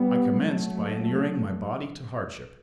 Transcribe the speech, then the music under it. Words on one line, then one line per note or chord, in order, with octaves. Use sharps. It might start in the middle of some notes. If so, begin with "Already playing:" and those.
I commenced by inuring my body to hardship.
Already playing: G3 B3
F#3 A3